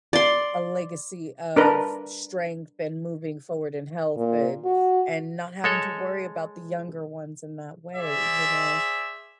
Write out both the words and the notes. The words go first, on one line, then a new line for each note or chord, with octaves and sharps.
a legacy of strength and moving forward in health and and not having to worry about the younger ones in that way, you know?
D5 C6
D4 A#4 B4
A#2
F#4
G#3 A4 C#5
G#4 C5 D5 E5